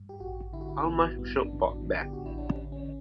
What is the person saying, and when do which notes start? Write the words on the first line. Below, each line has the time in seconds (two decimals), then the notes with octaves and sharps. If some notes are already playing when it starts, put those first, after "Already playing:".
How much should Bob bet?
Already playing: G2
0.09 G4
0.20 A1 F#4
0.53 D3 E4
0.61 F#4
0.69 E4
0.86 A1 B3
1.18 G2 B3
1.41 D4
1.51 A1
1.63 D4
1.85 D3
2.01 G4
2.13 A1 F#4
2.26 E4
2.38 D4
2.50 D3 C#4
2.72 C#4
2.83 D3